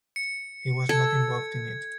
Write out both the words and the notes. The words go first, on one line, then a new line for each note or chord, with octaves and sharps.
He was not involved in it.
C#7
A4 G#6